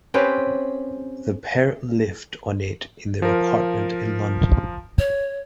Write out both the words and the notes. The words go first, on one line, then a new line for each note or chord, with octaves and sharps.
The pair lived on it in their apartment in London.
C4 C#4 G4 B4
F3 A#4
C#5